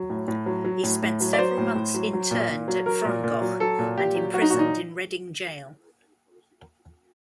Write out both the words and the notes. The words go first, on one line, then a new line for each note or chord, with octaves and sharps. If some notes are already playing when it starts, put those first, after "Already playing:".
He spent several months interned at Frongoch and imprisoned in Reading Jail.
Already playing: F#3
A2
A2
F#3
F#3
A2
A2
F#3
D5
F#3 C5
A2
A2
F#3
F#3
A#2
A#2
F#3
F#3 A#4
A#2
A#2
F#3
F#3 A4
A#2
A#2 G4
F#3
F#3 F#4
D#4
F#4
A#2
D#4